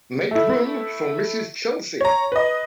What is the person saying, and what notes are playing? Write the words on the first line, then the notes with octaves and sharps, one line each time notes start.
Make room for Mrs. Chelsea.
A3 E4
C#5 A#5
B4 D#5